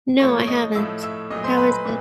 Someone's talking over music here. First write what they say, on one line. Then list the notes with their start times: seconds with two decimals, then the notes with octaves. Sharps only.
No, I haven't. How is it?
0.20 A2 F3 A3 C#5 C#6
0.47 D#5 D#6
0.75 A2 F3 A3 E5 E6
1.02 E5 E6
1.31 A#2 F#3 A3 D#5 D#6
1.44 C5 C6
1.58 B4 B5
1.71 B4 B5
1.85 A#2